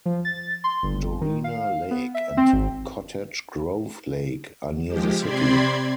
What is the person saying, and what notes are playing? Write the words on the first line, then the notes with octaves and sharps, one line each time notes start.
Dorena Lake and Cottage Grove Lake are near the city.
F3
A6
C6
G1
D#3
F5
B3
E5
C4
G#1
F3 G#3 G4
C3 C4 D5 B5 C6 G#6